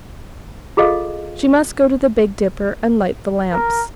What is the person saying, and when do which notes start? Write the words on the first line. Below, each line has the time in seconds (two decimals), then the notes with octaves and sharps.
She must go to the Big Dipper and light the lamps!
0.77 F4 G#4 A4 D#5 F5
3.52 A#4